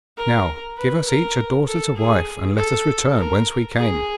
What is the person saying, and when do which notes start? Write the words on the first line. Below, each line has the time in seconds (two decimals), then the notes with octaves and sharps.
Now give us each a daughter to wife, and let us return whence we came.'
0.17 A#4
0.78 B4
1.07 A#4
1.67 A4
1.97 G#4
2.57 A4
3.17 A#4
3.76 G#4